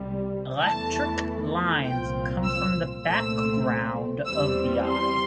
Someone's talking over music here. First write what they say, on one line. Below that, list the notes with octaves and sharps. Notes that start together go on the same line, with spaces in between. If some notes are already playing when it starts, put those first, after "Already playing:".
Electric lines come from the background of the eye.
Already playing: C2 C3 G3
E2 E3 A3 A5
C2 A#2 F3 C4 F4 G5
E6
C2 A#2 A3 C4 E6
E2 E3 G3 C4 E6
C6